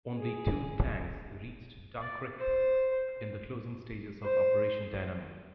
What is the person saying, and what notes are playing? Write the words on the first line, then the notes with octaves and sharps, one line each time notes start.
Only two tanks reached Dunkirk in the closing stages of Operation Dynamo.
G#4
D5
C5
C5